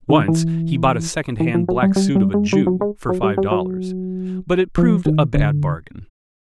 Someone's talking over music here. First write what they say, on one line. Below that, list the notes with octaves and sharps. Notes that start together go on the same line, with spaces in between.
Once he bought a second-hand black suit of a Jew, for five dollars, but it proved a bad bargain.
D#3
E3
E3
F3
F#3
G3
G3
G3
G#3
G3
F#3
G#3
F#3
G3
G3
F#3
F3
D#3
D3